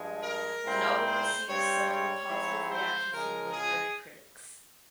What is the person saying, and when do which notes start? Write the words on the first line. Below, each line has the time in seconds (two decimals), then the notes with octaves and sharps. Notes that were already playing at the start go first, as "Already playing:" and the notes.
The novel received several positive reactions from literary critics.
Already playing: G2 F3 G#3
0.21 A#4
0.63 A#2 G#3 C4 E4
1.04 C5
1.45 G2 G3 C4 C#5
1.87 C#5
2.28 G#2 F3 C4 E4
2.70 C5
3.10 C#3 F3 G#3 A#4
3.51 G#4